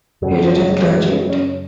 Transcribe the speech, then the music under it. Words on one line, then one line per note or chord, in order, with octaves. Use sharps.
He didn't graduate.
F#2 C#3 F#3
F#3
G#3
F#3
G#3
F#3
G#3
F#3
G#3
F#3
G#3
F#3
C#4